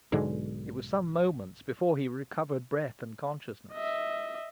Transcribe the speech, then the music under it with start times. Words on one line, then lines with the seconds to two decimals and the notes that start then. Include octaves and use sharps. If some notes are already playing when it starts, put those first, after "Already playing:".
It was some moments before he recovered breath and consciousness.
0.12 B1 G#2 D3 G#3
3.72 D#5 E5